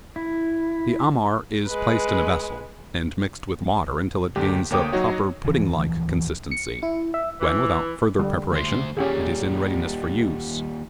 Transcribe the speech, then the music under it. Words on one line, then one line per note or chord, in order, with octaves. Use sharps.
The Amar is placed in a vessel, and mixed with water until it gains a proper pudding-like consistency, when, without further preparation, it is in readiness for use.
E4
G#3 B4
D2 D3 G4
D2 A#3 C#5 G5 D6 D#6
F#3 D#4 F#4 C#5
D1 F2 E3 F3
C#7
E4
E5
E3
D3 G3
D2 C5
D#2 G3 C#4 G4 G#4